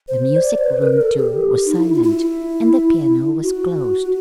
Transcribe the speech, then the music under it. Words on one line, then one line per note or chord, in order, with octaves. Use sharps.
The music room, too, was silent, and the piano was closed.
C5
D5
C5
B4
A#4
A4
G4
D#4
E4
F4
E4
F#4